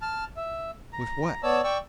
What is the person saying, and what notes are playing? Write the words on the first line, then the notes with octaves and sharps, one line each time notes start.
With what?
A5 F6
E5
A#5
B3 C#5 D5 A5 E6
D5 G5 C#6 E6